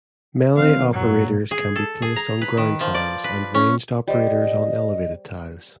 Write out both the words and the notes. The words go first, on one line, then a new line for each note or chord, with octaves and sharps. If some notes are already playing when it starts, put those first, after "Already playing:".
Melee operators can be placed on ground tiles and ranged operators on elevated tiles.
D#3 C4 F5
G2 A#2 F#3
G#4
A4
G#4
A#5
B4
D#3
F3
D5
B4
C#4
G3 C5 D#5